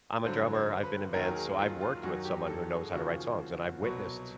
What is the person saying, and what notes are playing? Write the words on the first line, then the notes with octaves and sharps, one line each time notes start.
I'm a drummer, I've been in bands, so I've worked with someone who knows how to write songs and I've witnessed
G2 D3 F#3 C5
C5
B4
D#2 D#3 F#3 A#4
G#4
F4
F4
F#2 D#3 F#3 F#4
G4
A4
G#4
D#2 C#3 F3 F#4
C2 B2 F#3